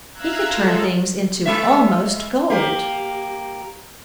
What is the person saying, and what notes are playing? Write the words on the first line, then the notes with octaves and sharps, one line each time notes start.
He could turn things into almost gold.
E5 F5 A#5 E6 F#6 G#6
G#3 F4 A4
G#3 E5
A#3 G4